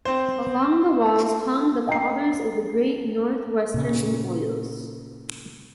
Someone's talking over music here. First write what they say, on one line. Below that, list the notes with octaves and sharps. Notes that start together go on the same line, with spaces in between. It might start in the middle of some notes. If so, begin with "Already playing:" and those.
Along the walls hung the fathers of the Great Northwestern in oils.
C4 C5
D#5 G5 A#5 C7
A#2 C#3